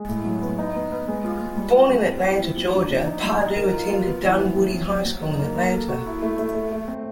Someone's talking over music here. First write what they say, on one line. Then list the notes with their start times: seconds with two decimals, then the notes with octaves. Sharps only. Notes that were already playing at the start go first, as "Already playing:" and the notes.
Born in Atlanta, Georgia, Pardue attended Dunwoody High School in Atlanta.
Already playing: G#3
0.08 A2
0.25 F#3
0.42 B3
0.59 D#4
0.75 B3
0.92 B3
1.08 G#3
1.25 F4
1.41 G#3
1.57 G3
1.75 F4
1.91 G3
2.07 C4
2.24 E4
2.41 F3
2.57 F3
2.74 D4
2.91 F3
3.07 D#4
3.23 G3
3.40 D#4
3.57 A#4
3.74 F4
3.90 F4
4.07 B3
4.23 E3
4.40 E3
4.56 F#3
4.73 C4
4.90 F#3
5.05 F#3
5.23 D#4
5.39 A#3
5.55 A#3
5.73 A4
5.89 F#4
6.06 E4
6.22 A3
6.39 A3
6.55 A3
6.72 A3
6.88 C4